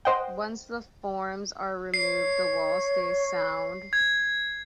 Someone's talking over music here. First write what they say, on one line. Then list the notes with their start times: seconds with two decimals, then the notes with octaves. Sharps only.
Once the forms are removed the wall stays sound.
0.05 C5 D#5 F#5 G5
1.94 C#5 C7
3.93 G#6